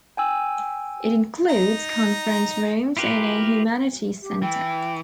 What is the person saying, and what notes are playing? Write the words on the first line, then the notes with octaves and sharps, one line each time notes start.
It includes conference rooms and a humanities center.
G5 G#5 E6
D#4 A#5
E4 F4 G4 A#4 B4
G4
E3 G5